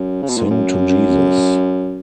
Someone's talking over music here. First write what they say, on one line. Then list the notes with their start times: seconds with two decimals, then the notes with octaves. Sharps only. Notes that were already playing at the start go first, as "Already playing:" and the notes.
Sing to Jesus!
Already playing: F#2
0.22 C#3
0.29 B2
0.37 A#2
0.44 G#2
0.51 F#2